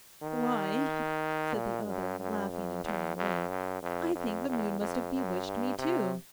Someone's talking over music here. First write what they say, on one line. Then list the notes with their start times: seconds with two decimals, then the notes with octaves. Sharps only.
'Why,' said the other, laughing and turning away, 'I think the moon must have bewitched me too.'
0.22 D#3
1.54 A#2
1.87 F#2
2.20 F#2
2.51 F2
2.84 E2
3.17 F2
3.49 F#2
3.83 F2
4.15 F2
4.48 E2
4.80 F2
5.13 F#2
5.46 G2
5.79 C3